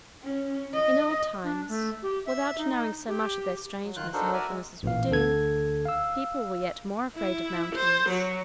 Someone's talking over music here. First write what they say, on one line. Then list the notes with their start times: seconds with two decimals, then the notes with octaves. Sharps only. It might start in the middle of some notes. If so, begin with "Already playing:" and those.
In old times, without knowing so much of their strangeness and awfulness as we do, people were yet more afraid of mountains.
0.23 C#4
0.73 D#5
1.44 D4
1.69 A3
2.03 G4
2.26 E5
2.58 D#4
3.08 G4
3.84 F#3
3.96 D#3 F4 F#6 G6
4.13 D4 D#4 F#4 A4 A#4 C5
4.34 F#4 A#4 D5 E5 G#5
4.48 G#3
4.83 A1 A#2 E3 F5
5.10 D2 D3 A4 G#6
5.85 F5 E6
7.16 E4
7.75 C5
8.09 F#3